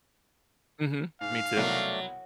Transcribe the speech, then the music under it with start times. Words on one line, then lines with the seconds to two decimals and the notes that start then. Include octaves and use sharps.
Mhm. Me too.
1.21 G#2 F5
1.57 C2 B2 D#3 F#3 A3 D5